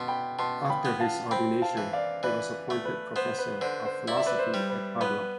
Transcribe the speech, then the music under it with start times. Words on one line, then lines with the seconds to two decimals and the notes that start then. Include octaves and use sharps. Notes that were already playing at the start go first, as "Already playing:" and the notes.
After his ordination he was appointed professor of philosophy at Padua.
Already playing: B2 A5 C6
0.08 G5 B5
0.39 B2 A5 C6
0.70 G5 B5
0.85 B3
1.00 F5 A5
1.31 C4 G5 B5
1.62 F5 A5
1.77 E3
1.93 D5 F5
2.23 E3 B4 D5
2.70 A3
2.85 B4
3.16 B3 C5
3.39 B4
3.61 D3 C5
3.85 C5
4.08 E4 D5
4.17 E5
4.26 B4 D5
4.39 C5
4.54 G3
4.70 B4
5.00 B3 B4